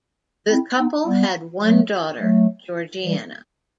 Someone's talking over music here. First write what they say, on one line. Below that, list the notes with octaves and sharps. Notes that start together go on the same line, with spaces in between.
The couple had one daughter, Georgiana.
C4 E4
B3 D#4
G3 B3
F#3 A3
F#3 A3
E3 G3